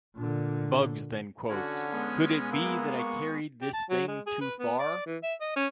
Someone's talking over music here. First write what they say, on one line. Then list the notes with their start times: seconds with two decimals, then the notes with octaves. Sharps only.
Bugs then quotes Could it be that I carried this thing too far?
0.16 A#2 D3
1.50 D3 C#4 F#4
1.91 G#3 B3
2.52 A#3 E4
2.99 C#6
3.61 G4
3.73 A5
3.89 F#3
4.08 G#3
4.26 G#4
4.41 B4
4.59 B3
4.79 D5
5.06 E3
5.23 E5
5.41 D#5
5.56 C#4